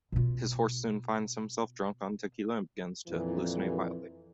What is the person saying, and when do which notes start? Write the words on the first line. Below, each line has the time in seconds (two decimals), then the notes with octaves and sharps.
His horse soon finds himself drunk on tequila and begins to hallucinate wildly.
0.12 B2 F4
3.08 F2 A#2 E3